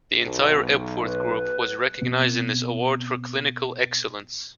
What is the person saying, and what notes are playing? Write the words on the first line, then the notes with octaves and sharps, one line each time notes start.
The entire Epworth group was recognised in this award for clinical excellence.
B1
B4
B2 B3 C4